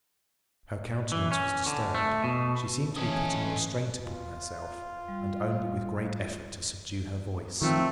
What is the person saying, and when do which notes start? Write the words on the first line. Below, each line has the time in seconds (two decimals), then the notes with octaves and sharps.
Her countenance was disturbed, she seemed to be putting a restraint upon herself, and only with great effort to subdue her voice.
1.12 E3
1.32 C#4
1.66 D3
1.95 A3
2.24 B2
2.96 E3 C#4 A4 D#5
4.05 F4
5.08 G3
7.62 D#3 F3 A3 C4